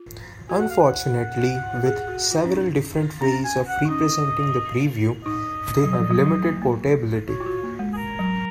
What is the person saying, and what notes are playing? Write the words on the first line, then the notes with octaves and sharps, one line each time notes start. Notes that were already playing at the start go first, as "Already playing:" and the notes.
Unfortunately, with several different ways of representing the preview, they have limited portability.
Already playing: F4
F#4 G#5
F#5
F5
F#5
G#4
F#4
F4
C#4
D#4
C#4 A#5
G#5
F#5
D#4
C#4 D#5
D#4 D#5
F#3
F3
F#3
F#3
A#3
A#3
F#4 C#5
F4
F#4
A#3
G#3
G#4
A#4
F#3